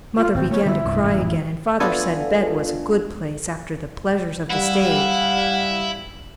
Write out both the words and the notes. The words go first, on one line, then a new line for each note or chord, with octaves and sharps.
Mother began to cry again, and father said bed was a good place after the pleasures of the stage.
F4
G#1 C4
A3 B3 C#5
D3 G3 B3 E4
C2 G2
A1 F#2 A#2
A3 B3 D4 F4 A4 G#5
G3 E4 F5 F#5